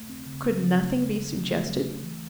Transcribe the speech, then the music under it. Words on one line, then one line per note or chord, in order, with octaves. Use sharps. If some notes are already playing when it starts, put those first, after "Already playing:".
Could nothing be suggested?
Already playing: A3
C4
C#3
C4
C#3
A3
F#3
F#3
A3
A3
F#3
A3
E3